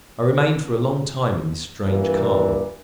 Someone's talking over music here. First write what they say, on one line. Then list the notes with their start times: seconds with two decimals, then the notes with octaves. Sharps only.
I remained for a long time in this strange calm.
1.86 G2 A#2 E3 A#3